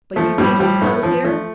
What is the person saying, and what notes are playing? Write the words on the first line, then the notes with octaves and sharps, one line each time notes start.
"But you think it's close here?"
F3 A3
A2 G3
F3 G3
A2 A3
F3
F3 A3